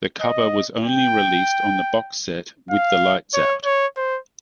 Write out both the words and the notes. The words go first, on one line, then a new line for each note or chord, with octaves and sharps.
The cover was only released on the box set "With the Lights Out".
D#5
G5
F5
C#5
C#5
C5